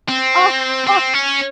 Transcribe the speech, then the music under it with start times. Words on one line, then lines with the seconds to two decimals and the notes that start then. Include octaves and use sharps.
Oh, huh.
0.09 C4
0.87 C4
1.13 C#4